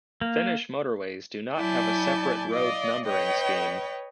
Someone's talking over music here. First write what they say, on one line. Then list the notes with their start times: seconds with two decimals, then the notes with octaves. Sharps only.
Finnish motorways do not have a separate road numbering scheme.
0.21 A#3
1.56 F#3 E4 D5 G#5 A5 G6
2.49 D5 D#5 F5
3.05 B4 C#5 D#5 G5